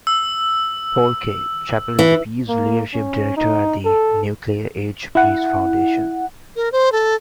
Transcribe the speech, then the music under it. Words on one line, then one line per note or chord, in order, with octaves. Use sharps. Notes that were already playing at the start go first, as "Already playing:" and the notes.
Paul K. Chappell is the Peace Leadership Director at the Nuclear Age Peace Foundation.
E6
E3
A#3
C#4
D#4
A4
E4 F#5
A#4
C5
A4